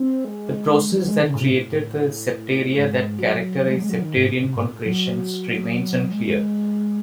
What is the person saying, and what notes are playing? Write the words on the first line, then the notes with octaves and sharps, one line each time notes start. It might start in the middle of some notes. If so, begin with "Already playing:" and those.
The process that created the septaria that characterize septarian concretions remains unclear.
Already playing: C4
G#3
E3
F#3
G#3
D#3
C#3
A2
C3
A2
A2
G#2
F#3
F#3
G#3
F#3
G#3
F#3
D#3
G#2
A2
C3
G#2
A2
F#3
G#3